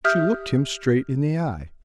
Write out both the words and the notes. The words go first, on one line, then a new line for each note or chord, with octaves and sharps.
She looked him straight in the eye.
G4 E5 D#6 F6 G6